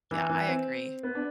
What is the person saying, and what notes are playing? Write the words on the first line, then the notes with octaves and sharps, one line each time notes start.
Yeah, I agree.
E3
E3
C4
B3
D4